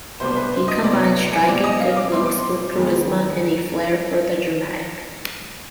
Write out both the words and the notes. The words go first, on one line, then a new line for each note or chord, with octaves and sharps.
He combined striking good looks with charisma and a flair for the dramatic.
C2 B2 G3 B3 D4 C5
C5
B4
C5
D#5
C2 B2 G3 B3 D4 D5
G#5
B2 G3 C4 D5
D#5
F5
D6
B2 G3 C4 C6
D6
C6
F2 D#3 G#3 B3